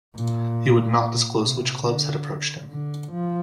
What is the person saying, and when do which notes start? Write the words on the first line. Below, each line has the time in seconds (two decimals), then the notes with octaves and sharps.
He would not disclose which clubs had approached him.
0.16 A#2
1.43 C3
1.86 D3
2.70 D3
3.12 F3